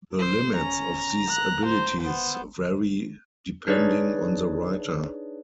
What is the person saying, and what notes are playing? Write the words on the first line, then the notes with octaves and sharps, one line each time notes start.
The limits of these abilities vary depending on the writer.
C5
C#4 A#5
F#6
C5
B3 C5
D4 D#4 G#4 B4 C#5 D5